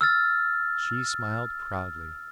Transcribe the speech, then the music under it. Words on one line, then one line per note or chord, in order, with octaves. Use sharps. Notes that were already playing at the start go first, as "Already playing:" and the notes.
She smiled proudly.
E6 F6 A6